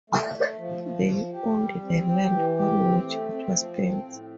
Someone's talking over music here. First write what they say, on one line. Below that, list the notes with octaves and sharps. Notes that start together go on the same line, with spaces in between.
They owned the land on which it was built.
A3
A3
F3
F3
F3
G4
G3
C4
G4
E3
G4
C4
A3
C4
F3
C4
A2